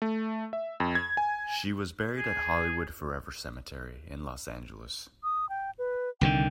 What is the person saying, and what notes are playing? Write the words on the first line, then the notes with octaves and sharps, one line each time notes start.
She was buried at Hollywood Forever Cemetery in Los Angeles.
A3
E5
F2
G#6
G#5
G#4
D#6
G5
B4
C2 D3 D#3 G5